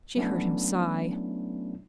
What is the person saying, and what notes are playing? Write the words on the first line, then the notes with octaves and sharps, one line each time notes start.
She heard him sigh.
F#3 A3 B3 C#4 D4 E4